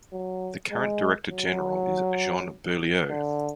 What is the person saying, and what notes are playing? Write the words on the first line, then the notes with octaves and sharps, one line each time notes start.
The current director general is Jean Beaulieu.
F#3
G#3
F#3
D3